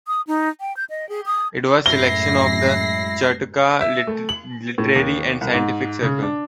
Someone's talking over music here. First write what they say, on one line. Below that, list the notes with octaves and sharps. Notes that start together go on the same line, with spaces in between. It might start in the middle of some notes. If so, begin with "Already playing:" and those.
It was a selection of the Chautauqua Literary and Scientific Circle.
D#6
D#4
G5
G6
D#5
G#4
D#6
F#2 A2 G#3 E4 A#6 C7 G7
E5
A3
F#7
A2
D#2
C2
G#2
C#3
D4